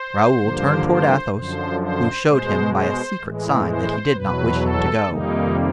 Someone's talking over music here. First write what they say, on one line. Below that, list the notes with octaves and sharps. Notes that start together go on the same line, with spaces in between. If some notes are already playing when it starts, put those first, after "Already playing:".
Raoul turned toward Athos, who showed him by a secret sign that he did not wish him to go.
Already playing: C5
G2 D3 F3 A#3
C5
F#2 D3 F3 C5
C5
B2 G#3 C5
C5
A2 E3 G#3
C5
E2 B2 F#3 B4
A4
F2 C3 D#3 G3 A#3 D#4